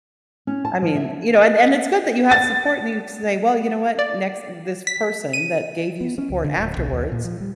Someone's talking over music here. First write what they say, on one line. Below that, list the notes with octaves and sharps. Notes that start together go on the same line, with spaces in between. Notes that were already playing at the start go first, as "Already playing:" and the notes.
I mean you know, and and it's good that you have support and you say, "Well, you know what? Next" this person that gave you support afterwards,
C#4
A5
F3
E5
A6
D5
B6
D#7
B3
C#4
C#2
D3
D1
B1
D#2
A#2
F3
G3